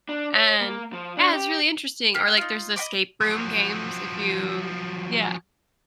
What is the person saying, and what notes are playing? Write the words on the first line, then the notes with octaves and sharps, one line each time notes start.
and, yeah, it's really interesting, or like there's escape room games if you yeah.
D4
C#5
A#3
F3
D4
G4
A#3 G4
D#4 F4
D#5 F#5 B5 D6
F3 F#3